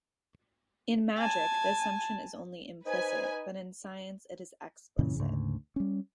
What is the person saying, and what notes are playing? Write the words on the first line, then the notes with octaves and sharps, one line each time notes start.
In magic, the assumption is only implicit, but in science it is explicit.
G#5 A5
D#4 B4 C5 G#5
F#2 A#2 C#3 E3
D2 G#2 C#3
G3 C#4